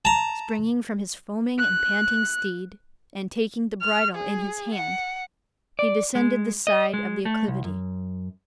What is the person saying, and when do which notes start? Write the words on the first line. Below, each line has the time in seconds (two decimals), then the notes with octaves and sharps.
Springing from his foaming and panting steed, and taking the bridle in his hand, he descended the side of the acclivity.
0.05 A5 A#5
1.58 F#6
3.82 F6
4.15 G#4
4.74 F#5
5.79 D5
6.15 G#3
6.67 D#5
6.93 G#3
7.25 A3
7.48 C2
7.65 F#2